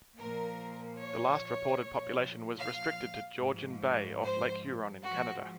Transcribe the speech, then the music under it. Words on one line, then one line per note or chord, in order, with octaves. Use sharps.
The last reported population was restricted to Georgian Bay off Lake Huron in Canada.
A#2 F3 A#4
C#5
A#2 F3
F5
G#2 F3
C5
G#2 F3 F#4